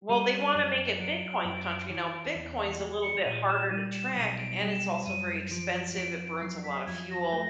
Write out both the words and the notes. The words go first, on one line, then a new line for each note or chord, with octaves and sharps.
Well, they want to make it bitcoin country. Now, Bitcoin's a little bit harder to track, and it's also very expensive, it burns a lot of fuel.
G3 D#7
F#2
F#3 D7
F#2
E3
E2
G#3
C#7
A#2 D#7
E7
G3 D#7
E7
B1 D#7
D7
G3 E7
F#2 D#7
F3 D7
F2 D7
F#3 C7
B6
F2 G#6
A#6
A3